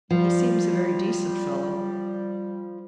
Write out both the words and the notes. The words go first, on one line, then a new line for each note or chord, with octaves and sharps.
"He seems a very decent fellow."
F3 G3